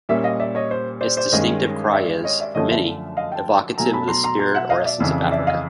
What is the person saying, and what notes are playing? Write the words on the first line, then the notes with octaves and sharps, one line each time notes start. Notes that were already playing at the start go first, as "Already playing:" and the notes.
Its distinctive cry is, for many, evocative of the spirit or essence of Africa.
A#2 G3 A#3 C#4 D5 E5
D#5 F5
D5 E5
C#5 D#5
C5
C5 D5
C5 D5
G2 D#3 G#3 C#4 C#5 D#5
D5 E5
C#5 D#5
D5 E5
F#2 D3 F3 A3 C#5 D#5
D5 E5
D#5 F5
G5 A5
B2 F#3 A3 G#5 A#5
A5 B5
A#5 C6
A#5 C6
A#5 C6
E5 F#5
D#5 F5
D5 E5
F2 C#3 E3
D5 E5
D#5 F5